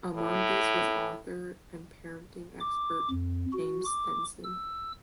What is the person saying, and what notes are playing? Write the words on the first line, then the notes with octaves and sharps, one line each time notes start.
Among these was author and parenting expert James Stenson.
A2
D6
F2
F#4
D6
E6